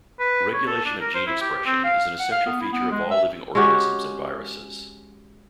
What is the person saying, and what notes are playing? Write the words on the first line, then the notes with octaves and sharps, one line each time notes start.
Regulation of gene expression is an essential feature of all living organisms and viruses.
B4
C#5
A4
D4
A#4
C5
E4
G4
C4
F5
F#5
F5
B3
E4
B3
G#3
E5
G#3 C#4 F#4 G4